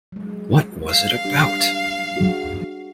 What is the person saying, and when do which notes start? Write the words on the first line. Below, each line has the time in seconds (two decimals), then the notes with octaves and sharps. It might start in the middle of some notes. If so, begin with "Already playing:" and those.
What was it about?
0.12 F#3 G#3
0.90 F5
1.25 G3 D4 G4
2.16 D4 F#4 G#4